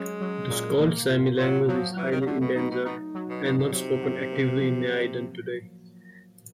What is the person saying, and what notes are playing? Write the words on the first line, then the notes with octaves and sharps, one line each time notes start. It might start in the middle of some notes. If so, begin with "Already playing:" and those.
The Skolt Sami language is highly endangered and not spoken actively in Neiden today.
Already playing: F#3 G#3 C#4
F#3
A#2
A#3
F4
F#3 F4
F3 F#3
E3 F#3
D#3
C#3
D3 A3
B2
B2 D#4
B2
B2 D#4
F#3
B2
B2 D#4
B2
C3 F#3
F#3
A#3
F3